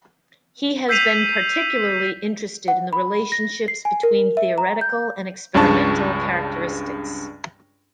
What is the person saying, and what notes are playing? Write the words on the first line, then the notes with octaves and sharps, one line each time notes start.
He has been particularly interested in the relationships between theoretical and experimental characteristics.
E6 G6 B6 C7 D#7 F7
F#5
B5
A#6
C7
G#5
A#4
E5
A#5
G6
C#2 G2 C#3 D4 A5 C#6